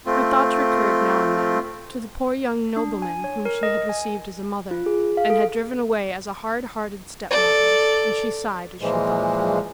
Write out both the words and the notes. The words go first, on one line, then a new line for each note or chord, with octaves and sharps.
Her thoughts recurred, now and then, to the poor young nobleman whom she had received as a mother, and had driven away as a hard-hearted step-mother, and she sighed as she thought of him.
A3 C4 F4
D4
G#5
C#5
A#4
D#5
G#5
F4
G#4
F5
A4
A4 D5
A#2 E3 F3 G#3